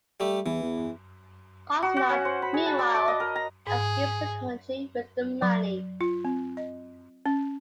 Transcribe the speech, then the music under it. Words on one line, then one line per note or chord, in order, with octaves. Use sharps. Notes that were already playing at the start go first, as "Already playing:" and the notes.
Osnard, meanwhile, escapes the country with the money.
G3 A3 G4
E2 E3
E2
F#4
F#4
C#4
C5
B5
G#4
A5
D5
D6
D#5
A#4
A#5
G#2 G#4
F#3
F4
C4
D#5
C#4